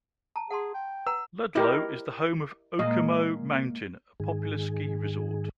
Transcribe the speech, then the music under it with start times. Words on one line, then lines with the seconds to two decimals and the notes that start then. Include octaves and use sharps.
Ludlow is the home of Okemo Mountain, a popular ski resort.
0.36 A5 A#5
0.51 G#4 F#5 A5 C6
0.75 G5
1.07 B4 F#5 A#5 E6
1.55 E4 G4 A#4 C5 D#5
2.79 A#2 G#3 A#3 D#5
4.20 G#2 D#3 G#4